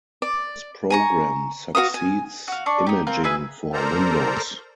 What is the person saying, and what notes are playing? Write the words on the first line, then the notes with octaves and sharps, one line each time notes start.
This program succeeds Imaging for Windows.
D5
G#5 A#5 C#6
F#4 C#5 F5 D#6
G#5
F#4 F5
D4 D5 C#6
D#4 G4
C4 F4 A#4
G#4 B4 E5 G#5
A4 A#4 C5 D5 A#5